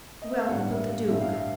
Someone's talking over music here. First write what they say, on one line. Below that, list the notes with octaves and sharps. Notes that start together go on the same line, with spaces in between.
"Well, but the duke?"
D#5
E5
F5
A1 G2 E3 G3 F#5
E5
F5
A1 G2 E3 G3 E5
F5
E5